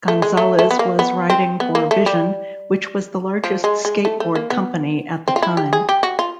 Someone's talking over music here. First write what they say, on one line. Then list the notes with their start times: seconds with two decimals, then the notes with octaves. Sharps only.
Gonzales was riding for Vision which was the largest skateboard company at the time.
0.08 A3
0.22 G#3
0.37 A3
0.59 A3
0.71 B3
0.79 A#3
0.99 B3
1.30 C4
1.60 B3
1.75 A#3
1.91 A3
2.06 G3
3.44 F3
3.64 G#3
3.85 G#3
4.05 A3
4.20 A3
4.35 A#3
4.50 B3
5.28 C4
5.36 F4
5.42 E4
5.57 G4
5.73 G#4
5.89 G4
6.03 F#4
6.19 F4